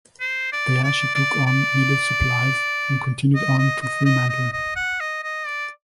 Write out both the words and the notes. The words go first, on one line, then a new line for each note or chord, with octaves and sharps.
There, she took on needed supplies and continued on to Fremantle.
C5
D5
D5
D5
D5
D#5
D#5
D#5
D#5
D#5
D#5
F#5
D#5
D#5
D5